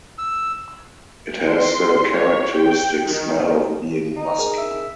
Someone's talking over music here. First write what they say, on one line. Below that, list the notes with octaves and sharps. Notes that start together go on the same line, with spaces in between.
It has the characteristic smell of being "Musky".
E6
C6
C#5
G5
D#3
D#4
G#4 A#4
E5